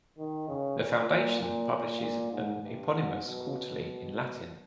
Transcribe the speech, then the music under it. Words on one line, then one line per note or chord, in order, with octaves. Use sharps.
The foundation publishes an eponymous quarterly in Latin.
D#3
C#3
A#2
A#2
A#2
A#2
A#2
G#2
G2
G#2
B2